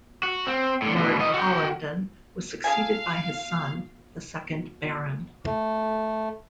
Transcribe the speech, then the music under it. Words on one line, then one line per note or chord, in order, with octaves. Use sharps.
Lord Hollenden was succeeded by his son, the second Baron.
F#4
C4
A2 D3
D2 B2
E3 D#5
F#4 G5
G#4 A4 F5 G#5
A3